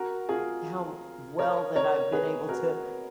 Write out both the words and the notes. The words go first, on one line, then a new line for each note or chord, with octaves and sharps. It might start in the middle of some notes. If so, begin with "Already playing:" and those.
how well that I've been able to
Already playing: F#4 A#4
F4 G#4
A#4 C#5
A#4 C#5
G#4 B4
F#4 A#4